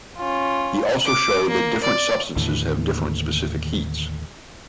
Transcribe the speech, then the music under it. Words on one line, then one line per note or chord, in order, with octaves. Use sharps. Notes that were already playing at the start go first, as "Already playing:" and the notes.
He also showed that different substances have different specific heats.
C#4 F4
D6
A#3
D5
D#2 A2 D3 E3